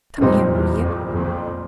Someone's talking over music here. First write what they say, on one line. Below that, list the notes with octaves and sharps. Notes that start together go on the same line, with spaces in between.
Come here, Maria!
F2 A#2 G3 C4 D#4
E2
F2
F2